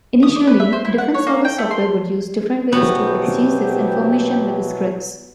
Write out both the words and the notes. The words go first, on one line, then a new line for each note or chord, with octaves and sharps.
Initially, different server software would use different ways to exchange this information with scripts.
D#6
D5
B4
E5
C5
E4
F#5
C#5
A#3
G5
A3
C6
B2 E3 F#3 B3 F#4 G4 C5